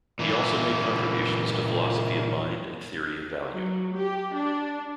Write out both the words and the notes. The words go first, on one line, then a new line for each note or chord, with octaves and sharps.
He also made contributions to philosophy of mind and theory of value.
A#2 E3
F#3
G4
D4